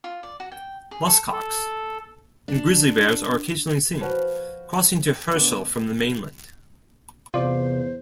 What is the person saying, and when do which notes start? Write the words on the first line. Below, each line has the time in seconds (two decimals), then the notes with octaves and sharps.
Muskox, and grizzly bears are occasionally seen, crossing to Herschel from the mainland.
0.04 F4
0.23 D5
0.40 F#4
0.52 G5
0.91 G#4
1.08 A4
1.32 A4
2.48 D4
4.01 F3 F#4 B4 C#5
5.34 D3 B3 D5
7.34 E2 C3 F4 C5 D5